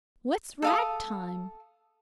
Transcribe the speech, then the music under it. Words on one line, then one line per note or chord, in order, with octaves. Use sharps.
"What's rag-time?"
A4 F5 D#6